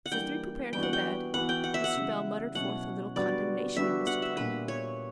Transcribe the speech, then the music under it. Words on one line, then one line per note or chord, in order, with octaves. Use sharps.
As the three prepared for bed, Mr. Bell muttered forth a little condemnation of Mr. Thornton.
F#5
E3 G3 A#3 D4 G5
E3 G3 B3 D4 F#4 G5
F#5
G5
E3 B3 F#4 F#5
G5
F#5
E5
F#5
C#3 E3 G3
B2 F#3 C#4 E4 F#5
D3 G3 B3 F#4 D5
D3 G3 B3 D4 F#4 E5
F#5
E5
A#2 G3 B3 D4 F#4 B4
C#5